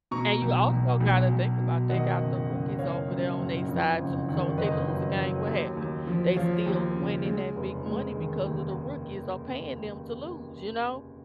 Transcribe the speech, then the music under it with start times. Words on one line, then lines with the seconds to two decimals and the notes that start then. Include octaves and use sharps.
And you also gotta think about they got the rookies over there on their side too, so if they lose the game, what happened? They still winning that big money because of the rookies are paying them to lose, you know?
0.11 B2 A#5 C#6
0.42 B1
0.70 B1
1.00 B1
1.31 B1
1.60 B2
1.89 D#3 D#5 F#5
2.20 F#1
2.49 F#1
2.79 F#1 C#5 F5
3.08 F#2
3.39 F#1
3.68 F2
3.99 F#1
4.28 D#3
4.57 F#1 B4 D#5
4.88 F#3
5.17 F#3
5.47 D#2
5.77 D#2
6.07 F3
6.36 F3 C#5 F5
6.66 D#2
6.95 C#3
7.26 G#3
7.56 F1
7.86 G#3
8.15 D#3
8.45 D#2